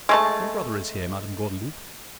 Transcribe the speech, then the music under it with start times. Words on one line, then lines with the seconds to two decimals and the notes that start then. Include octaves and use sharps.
"Your brother is here, Madam Gordeloup."
0.09 G#3 A3 A5